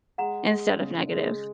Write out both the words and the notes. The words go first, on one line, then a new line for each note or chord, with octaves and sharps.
instead of negative,
G#3 F#5 A#5
G#3
C#3
G#3